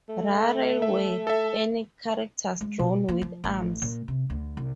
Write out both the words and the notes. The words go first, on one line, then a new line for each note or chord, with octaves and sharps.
Rarely were any characters drawn with arms.
A3
E5
A4 E5
G#3
B2
A#3
F3
A1
A#2
C3
D2
C2